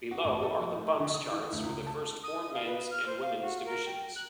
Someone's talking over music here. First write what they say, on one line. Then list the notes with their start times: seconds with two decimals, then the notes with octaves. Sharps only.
Below are the bumps charts for the first four men's and women's divisions.
0.11 F#4
0.24 A1
0.43 A4
0.60 F3
0.76 A2
0.88 G#5
1.00 D3
1.14 D#6
1.32 E3
1.52 D2
1.63 C#2
1.87 A5
2.23 D#6
2.53 F5
2.66 B4
2.90 F6
3.06 C5
3.21 F5
3.42 F#4
3.65 A#4
3.86 G5
4.15 F#6